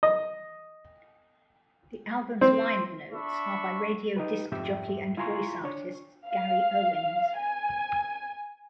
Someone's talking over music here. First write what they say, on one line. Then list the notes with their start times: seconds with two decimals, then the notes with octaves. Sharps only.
The album's liner notes are by radio disc jockey and voice artist Gary Owens.
0.03 D#5
2.41 C4
3.13 D4 E5 B5 C#6
4.16 D#4 G4 B4
4.52 F2 G#2 G4 E5 G5
5.17 E4 F4 G#5 A#5 C6 C#6
5.64 D4 C#5
6.28 F5
7.38 G#5